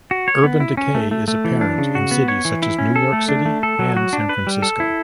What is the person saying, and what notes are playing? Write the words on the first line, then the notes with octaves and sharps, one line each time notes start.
Urban decay is apparent in cities such as New York City and San Francisco.
F#4
C#5
B3
E4
C#4
A3
A3
A3
E3
D4
C#3
F#4
B3
C#5
E3
E4
C#4
A4
A3
D4
A3
A4
F#3
F#4
D4
B4
G3
A4
E4